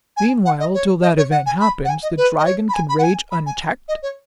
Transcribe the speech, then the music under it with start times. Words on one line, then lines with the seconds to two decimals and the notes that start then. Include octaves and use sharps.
"Meanwhile, till that event happen, the Dragon can rage unchecked?"
0.17 G#5
0.45 F#5
0.60 D#5
0.74 C#5
1.02 D#5
1.17 C#5
1.31 F#5
1.46 G#5
1.60 B5
1.85 F#5
1.89 G#5
2.03 D#5
2.17 B4
2.39 D#5
2.45 C#5
2.69 B5
2.74 G#5
2.89 B5
2.99 F#5
3.03 G#5
3.31 B5
3.46 G#5
3.88 D#5
4.03 C#5